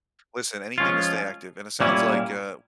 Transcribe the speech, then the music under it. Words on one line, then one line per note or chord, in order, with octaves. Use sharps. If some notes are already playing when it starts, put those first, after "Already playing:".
listen, anything to stay active, and it sounds like, uh
F3 G#3 C#4 F4
A#2 G3 A#3 C#4 E4